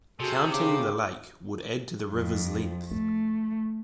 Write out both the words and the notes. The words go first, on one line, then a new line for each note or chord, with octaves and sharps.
Counting the lake would add to the river's length.
C3 F#4 G#4 A4 D#6
C#3 G4 D6
F2
A3